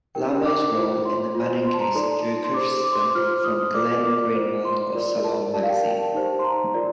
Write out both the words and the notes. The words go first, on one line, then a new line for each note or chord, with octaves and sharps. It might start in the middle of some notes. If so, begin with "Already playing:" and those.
Lamo's role in the Manning case drew criticism from Glenn Greenwald of "Salon Magazine".
D#4 G4 A#4 G5
D6
F4 C5
C6
F4 C5
C6
A5
A#5
D#4 A4 D5 C6
C6
G4 C5 D6
D6
C6
D6
F4 C5 F6
F6
D#6
F4 A#4 D5 D6
D6
F4 C5
C6
F4 A#4 D5
A5
G4 A#4 D5 A5
F5
G5
A5
D#4 G4 C5
C6
A#5
F4 A#4 D5